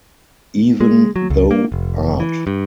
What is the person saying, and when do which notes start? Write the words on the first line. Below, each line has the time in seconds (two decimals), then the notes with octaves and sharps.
Even though Art.
0.81 G#3
1.16 F#3
1.30 C#2
1.51 A#3
1.72 F1
2.20 E3
2.47 G2